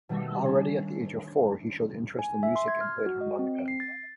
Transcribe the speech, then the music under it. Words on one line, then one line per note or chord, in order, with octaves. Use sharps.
Already at the age of four he showed interest in music and played harmonica.
B2 D#3 G3 A3 A#3
C#4 D4
G#5
E5
C6
G#6
F6
F#4
D#5
C4
C7
A6